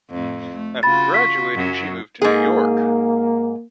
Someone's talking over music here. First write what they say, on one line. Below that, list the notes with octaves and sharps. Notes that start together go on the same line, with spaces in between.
After graduating, she moved to New York.
F2 A2
A3
C#3 F4 F#4 B5 A6
C#6 B6
F#2 F#3
G#2 A#3 G#4